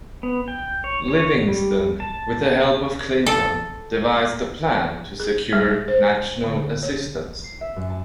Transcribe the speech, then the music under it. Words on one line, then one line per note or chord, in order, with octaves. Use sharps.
Livingston, with the help of Clinton, devised a plan to secure national assistance.
B3
G5
C#5
C#5
G3
A5
A4
G#4
G3
C5
D3
C#5
C7
E5
F#2
A5